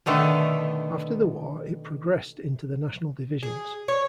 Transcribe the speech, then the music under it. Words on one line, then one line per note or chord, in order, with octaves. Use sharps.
After the War it progressed into the national divisions.
B2 D3 D#3 A3
G#4
C#5